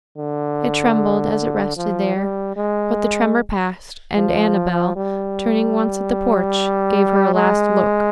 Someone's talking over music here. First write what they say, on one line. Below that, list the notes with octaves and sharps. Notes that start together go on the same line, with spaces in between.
It trembled as it rested there, but the tremor passed, and Annabel, turning once at the porch, gave her a last look.
D3
F3
G3
G#3
F3
G3
G#3